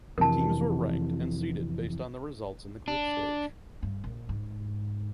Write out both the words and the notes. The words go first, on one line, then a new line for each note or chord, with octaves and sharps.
Teams were ranked and seeded based on their results in the group stage.
F2 C3 E3 A#4 A5
D4
G2
A#1
G#2